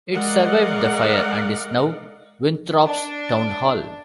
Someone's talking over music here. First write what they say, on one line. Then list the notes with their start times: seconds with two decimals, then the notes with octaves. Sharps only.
It survived the fire and is now Winthrop's Town Hall.
0.13 G#3 A#4 D5 D#5 F5 F#5
2.86 D4